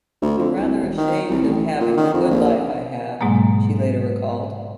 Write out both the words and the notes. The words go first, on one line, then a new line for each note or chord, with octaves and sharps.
I'm rather ashamed of having the good life I have, she later recalled.
D2
F2
C2
E1
D#3
C2
A1
A#2
D#3
F2
A#1
G#2 B2 F#3 G#3 A#3